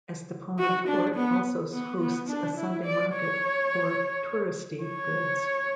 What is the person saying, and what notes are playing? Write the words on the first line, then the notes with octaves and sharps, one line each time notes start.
Estepona port also hosts a Sunday market for "touristy" goods.
F#4
D4
B3
B3
B3
D4
E4
D5
C#5
C#5